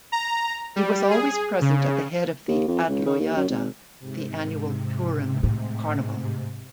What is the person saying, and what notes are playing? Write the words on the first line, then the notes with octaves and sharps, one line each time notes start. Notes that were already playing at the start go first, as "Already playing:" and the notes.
He was always present at the head of the "Adloyada", the annual Purim carnival.
A#5
G3
G#4
C#3
D#2
F2
C#2
C#3
D#2
F#2
G#1
G#2 C3
A2